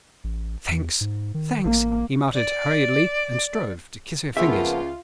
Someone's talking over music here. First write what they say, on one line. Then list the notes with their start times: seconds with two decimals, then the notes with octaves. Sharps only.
"Thanks, thanks," he muttered, hurriedly, and strove to kiss her fingers.
0.24 A1
0.68 E2
1.01 G#2
1.34 D#3
1.65 A1 A#3
2.34 D5
4.37 C#2 F3 A#3 B3 F4 E5